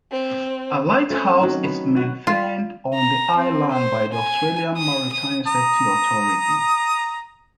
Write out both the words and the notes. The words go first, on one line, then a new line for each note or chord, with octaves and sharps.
A lighthouse is maintained on the island by the Australian Maritime Safety Authority.
C4
A3 C4 C#4
D#3 F#3
B3
F#4
F4
A#5
C4
C5
G#5
D#6
D#6
A#5 D#6